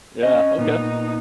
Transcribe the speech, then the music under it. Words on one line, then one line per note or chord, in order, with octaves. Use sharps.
Yeah. Okay.
C#4 D#5
A#2 B3 D#4